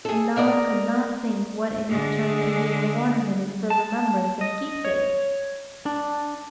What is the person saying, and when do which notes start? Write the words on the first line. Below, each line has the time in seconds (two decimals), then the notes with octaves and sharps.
And Nod could not think what in his turn to give the Water-midden for a remembrance and a keepsake.
0.05 G#4 A4
0.36 A#4 D5 D#5 A#5
1.88 D3 G#3
3.70 A5
4.41 D#5
4.85 C#5
5.86 D4